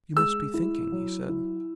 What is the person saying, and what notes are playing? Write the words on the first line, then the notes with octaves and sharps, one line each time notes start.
"You must be thinking," he said.
G#3 E6
E4
F#3
E4